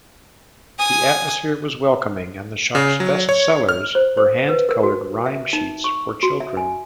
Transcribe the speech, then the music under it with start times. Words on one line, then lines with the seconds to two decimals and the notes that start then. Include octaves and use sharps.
The atmosphere was welcoming, and the shop's best-sellers were hand-coloured rhyme sheets for children.
0.79 G#5 D#6
2.75 C#3
3.00 F#3
3.29 C#5
3.69 F6
3.95 C5
4.17 C5
4.49 B4
4.69 A#4
4.83 F#4
5.26 E5
5.53 D#4
5.84 C#6
6.23 F#4
6.40 E5
6.57 G#5